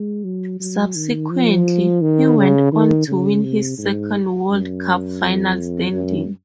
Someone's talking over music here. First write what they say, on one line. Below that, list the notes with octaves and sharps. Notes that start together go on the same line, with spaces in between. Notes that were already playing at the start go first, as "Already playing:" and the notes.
Subsequently, he went on to win his second World Cup final standing.
Already playing: G#3
F#3
F#3
D#3
F3
D#3
C#3
D#3
C#3
C3
G#2
F#2
F2
F#2